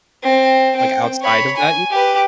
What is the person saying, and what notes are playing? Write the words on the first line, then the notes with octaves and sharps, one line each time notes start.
Like outside of that y
C4
C4 G5
C#5 B5
G#5
G4 B4